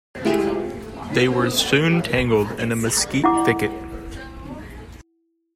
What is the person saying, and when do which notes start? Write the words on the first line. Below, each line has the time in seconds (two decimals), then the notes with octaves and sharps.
They were soon tangled in a mesquite thicket.
0.25 G#3 A3 E4 F4 G4 G#4
3.24 E4 F#5 D6